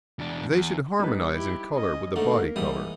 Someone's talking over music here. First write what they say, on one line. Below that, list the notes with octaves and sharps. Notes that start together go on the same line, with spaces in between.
They should harmonise in colour with the body colour.
E2 D4
E2
G3 D#4 B4
E4 G4
C#4 D#5
G#2 D3 A3 A#3 D#4 A#4
G#2 E3 G3 D#6